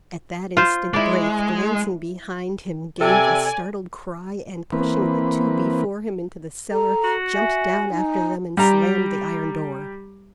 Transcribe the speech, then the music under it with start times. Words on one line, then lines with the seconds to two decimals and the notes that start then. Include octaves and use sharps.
At that instant, Braith, glancing behind him, gave a startled cry, and pushing the two before him into the cellar, jumped down after them and slammed the iron door.
0.57 F4 C5
0.93 G#3 E4 D5
3.01 C3 A4 D5 G#5
4.72 E3 A#3 C4 B4
6.72 A4 A#5
7.04 F#4
7.35 E5 G#5
7.90 D#4
8.57 G3 G4 A#5